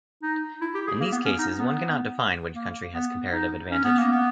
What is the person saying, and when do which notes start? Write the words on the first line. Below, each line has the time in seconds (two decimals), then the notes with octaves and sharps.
In these cases, one cannot define which country has comparative advantage.
0.23 D#4
0.61 E4
0.75 G4
0.88 G#4
1.00 A#3
1.12 B3
1.25 C#4
1.39 D#4
1.58 B3
2.55 A#3
2.94 B3
3.33 D#4
3.71 C#4
3.84 B3
3.99 A#3
4.12 B3